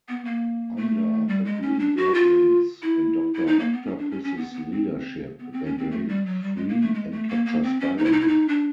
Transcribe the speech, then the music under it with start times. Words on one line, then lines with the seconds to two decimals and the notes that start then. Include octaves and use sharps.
Under the Green Goblin's and Doctor Octopus's leadership, they break free and capture Spider-Man.
0.09 B3
0.25 A#3
0.77 A3
1.28 G3
1.45 G#3
1.62 C#4
1.79 D4
1.97 F#4
2.14 F4
2.82 E4
3.34 E4
3.47 D#4
3.59 A#3
3.73 B3
3.85 C#4
3.98 D4
4.11 C#4
4.24 C#4
4.37 B3
4.54 B3
4.71 C4
5.39 B3
5.53 C4
5.65 C#4
5.78 C4
5.91 A3
6.09 G3
6.26 F#3
6.42 G3
6.56 G#3
6.68 A#3
6.82 A3
6.94 G#3
7.12 A3
7.29 A#3
7.46 A#3
7.63 C4
7.80 C#4
7.97 D#4
8.05 E4
8.12 D#4
8.20 E4
8.28 D#4
8.48 D4